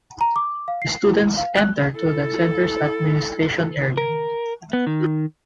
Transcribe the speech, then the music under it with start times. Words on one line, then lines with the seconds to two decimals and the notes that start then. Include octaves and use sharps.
Students enter through the center's administration area.
0.21 A#5
0.36 D6
0.68 F5
0.82 C7
1.06 E4
1.37 F5
1.57 F#6
1.95 E4 A4
3.97 A#4
4.73 B3
4.87 D#3